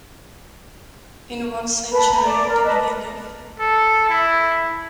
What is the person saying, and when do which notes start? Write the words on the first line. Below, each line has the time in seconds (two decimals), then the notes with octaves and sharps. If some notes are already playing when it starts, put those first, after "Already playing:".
In what century did he live?
1.92 B4 A5 B5
2.10 A#5
2.25 D5
2.47 A#4
2.63 B4 D#5 A5
3.59 A4
4.09 E4